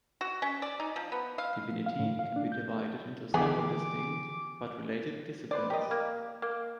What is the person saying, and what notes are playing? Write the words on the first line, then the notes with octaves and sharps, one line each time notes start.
Divinity can be divided into several distinct but related disciplines.
F#4
C#4
D5
D#4
F3
B3
F5
F5
A2
F5
D4
G6
D3 E3 B3 G4 G#4 G#5 D6
B4 C5 D5
G4 A#4 D#5
A#3
A#3